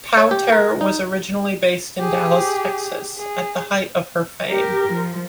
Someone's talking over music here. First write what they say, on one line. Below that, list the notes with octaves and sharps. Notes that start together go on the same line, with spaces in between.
Powter was originally based in Dallas, Texas at the height of her fame.
C#5
G4
A#4
D#4
G4 G#4
G#4
G4 A#4
F3